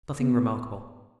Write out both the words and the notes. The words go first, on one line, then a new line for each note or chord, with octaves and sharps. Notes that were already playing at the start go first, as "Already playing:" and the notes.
Nothing remarkable.
B3